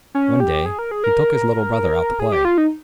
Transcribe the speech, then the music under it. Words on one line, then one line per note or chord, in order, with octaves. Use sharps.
One day, he took his little brother out to play.
C#4
G4
G#4
A#4
G#4
A#4
G#4
G4
F4
D#4